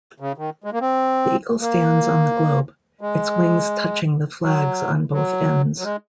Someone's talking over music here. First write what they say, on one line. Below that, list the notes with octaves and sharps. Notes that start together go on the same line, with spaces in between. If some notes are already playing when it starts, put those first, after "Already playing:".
The eagle stands on the globe, its wings touching the flags on both ends.
C#3
D#3
G#3
A#3
C4
A#3
G#3
F#3
F#3
F#3
G#3